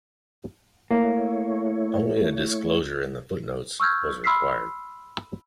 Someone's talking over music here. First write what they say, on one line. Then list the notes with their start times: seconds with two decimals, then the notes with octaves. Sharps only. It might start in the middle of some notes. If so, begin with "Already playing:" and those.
Only a disclosure in the footnotes was required.
0.91 A3 A#3 E4 C#5
3.80 C#6 E6 F6 G6 G#6
4.24 B5 C6 E6 F6 B6 C7